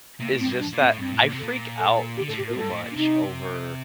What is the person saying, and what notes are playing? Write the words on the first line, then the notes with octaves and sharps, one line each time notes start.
is just that I freak out too much over
C3 A#3
A2
C4
G2
D4
A#2
C4
A2
G2 C4
A2
A#2
C3
A#2 A4
A4
A4
D3 G4
A2 A4
G4
A2 A#4
G2 A4
A2
A#2
D4
C3 D#4